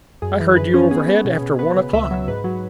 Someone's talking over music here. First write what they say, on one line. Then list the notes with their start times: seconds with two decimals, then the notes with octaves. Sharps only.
"I heard you overhead after one o'clock."
0.22 F#2 G#4
0.40 E3
0.56 F#2 B4
0.74 C#4
0.91 B3 G#4
1.08 B3
1.25 B2
1.42 B2
1.59 B3 B4
1.76 C#3
1.93 C#2 E5
2.11 F#3
2.28 G#2 B4
2.44 F#3